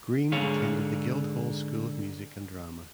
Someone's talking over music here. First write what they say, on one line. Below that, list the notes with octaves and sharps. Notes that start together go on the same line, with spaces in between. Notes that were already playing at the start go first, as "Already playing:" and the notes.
Greene attended the Guildhall School of Music and Drama.
G#2 D3 G#4 C#5 F5